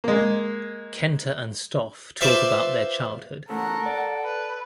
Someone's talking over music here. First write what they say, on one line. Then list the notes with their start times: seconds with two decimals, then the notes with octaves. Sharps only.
Kenta and Stoffe talk about their childhood.
0.04 G#3 A#3
2.21 F4 B4 C5 D5 E5
3.49 C#3 E3 A3 A4 A#4 F#5
3.86 D5
4.24 B4